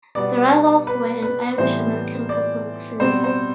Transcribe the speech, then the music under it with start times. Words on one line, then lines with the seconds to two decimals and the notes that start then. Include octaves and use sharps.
The Russells were an Irish-American Catholic family.
0.15 B2 G3 B3 D5
0.87 B4
1.22 B4
1.58 A2 E3 G3 B3 C5
2.29 D5
3.00 B2 G3 C4 C5
3.24 C5